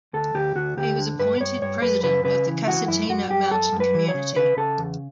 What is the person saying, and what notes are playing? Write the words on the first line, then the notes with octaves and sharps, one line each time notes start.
He was appointed president of the Casentino mountain community.
D2 A4
D2 G4
D2 F#4
D2 G4
D3
G2 B4
G2 C#5
G2 C#5
F#2 B4
C#3 B4
C#3 B4
E3
E3 F#4
F#2 E4
F#2 F#4
F#2 G4
F#2 A4
F#2
B4
E3
C#5
C#3
C#3 B4
C#3 A4
E2